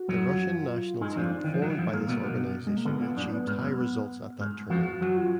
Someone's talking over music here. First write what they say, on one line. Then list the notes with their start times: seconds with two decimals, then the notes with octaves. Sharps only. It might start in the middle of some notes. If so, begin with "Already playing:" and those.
The Russian national team formed by this organization achieved high results at that tournament.
Already playing: F#4
0.08 F#2 F#3
0.32 F4
0.40 F#4
0.54 F4
1.01 G#2 G#3 D#4
1.16 F2 F3 D4
1.44 D#3
1.54 F3
1.62 F#2 F#3
1.70 D#3
1.78 F2 F3
1.88 G#3
1.93 G#2 A#3
2.08 B1 B2
2.24 B1 B2
2.67 G#3
2.77 A#3
2.85 D2 D3 B3
3.00 A#2
3.16 F#2 D4
3.32 B3
3.47 G#2
3.62 F#2
4.40 G#2
4.70 F2 F3 F#4
5.01 F#2 F#3 F#4
5.17 F4